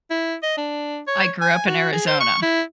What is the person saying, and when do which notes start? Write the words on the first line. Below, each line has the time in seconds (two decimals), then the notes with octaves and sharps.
I grew up in Arizona.
0.10 E4
0.43 D#5
0.57 D4
1.08 C#5
1.41 G#5
1.67 F#4
1.93 G#4
2.07 C5
2.21 C#6
2.42 E4